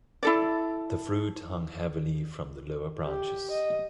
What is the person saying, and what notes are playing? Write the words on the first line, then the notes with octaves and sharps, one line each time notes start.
The fruit hung heavily from the lower branches.
E4 A4 D5
G4
D#5